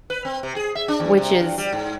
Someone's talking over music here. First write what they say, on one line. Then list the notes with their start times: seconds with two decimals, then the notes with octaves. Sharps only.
which is
0.10 B4
0.25 C4
0.43 C3
0.56 G#4
0.75 E5
0.88 D4
1.00 E2
1.18 C3
1.40 G2
1.58 G3
1.73 G#2